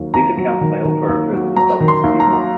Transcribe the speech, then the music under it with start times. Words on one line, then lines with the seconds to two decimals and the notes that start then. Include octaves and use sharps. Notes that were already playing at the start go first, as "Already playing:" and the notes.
These accounts may also refer to the Selk'nam people.
Already playing: D#2 F#3
0.14 D#2 A#5
0.38 F#3
0.61 D#3
0.85 D#3
1.09 D#2
1.33 F#3
1.57 F#3 A#5
1.80 D#3
1.88 C6
2.04 D#2
2.20 A#5
2.28 F#3